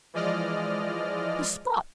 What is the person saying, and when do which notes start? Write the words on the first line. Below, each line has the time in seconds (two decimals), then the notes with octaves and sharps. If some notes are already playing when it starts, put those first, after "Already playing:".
The spot!
0.14 E3 F3 G#3 D5 D#5 F6